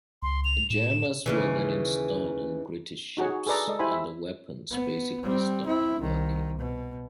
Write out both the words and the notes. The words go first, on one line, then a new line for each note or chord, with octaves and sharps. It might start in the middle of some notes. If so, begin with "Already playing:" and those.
Jammers were then installed on British ships, and the weapons basically "stopped working".
C#2 C6
F7
A2 E7
D#2 C#3 E3
D#4 F#4 G#4 C#5
F#4
G#4 A4 B4 D5 A#5
G#3 A4 D5 D#5
E4 G4 C5 G#5 B5
E5
B3
G3 C4
C4 E4
C2 D#3
B2